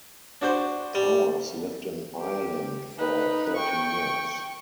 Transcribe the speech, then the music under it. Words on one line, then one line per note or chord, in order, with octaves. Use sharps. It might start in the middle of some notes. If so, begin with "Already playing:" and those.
Powers lived in Ireland for thirteen years.
D4 F#4 C5
G3
G4
D#4 B4
G5 C#6